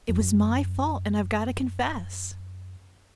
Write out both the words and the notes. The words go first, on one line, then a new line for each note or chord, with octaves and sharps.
It was my fault and I've got to confess.
F2
F#2